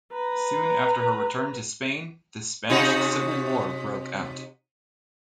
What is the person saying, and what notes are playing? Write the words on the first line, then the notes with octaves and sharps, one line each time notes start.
Soon after her return to Spain, the Spanish civil war broke out.
B4 A#5
C3 D#4 F#4